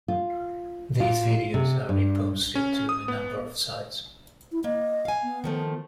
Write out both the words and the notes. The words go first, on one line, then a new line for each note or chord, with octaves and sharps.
These videos are re-posted to a number of sites.
F4
F4
C3
G2
C#4
D#6
B3
E4
A#3 D#5
F5 G#5
B3
D#3 F3 A3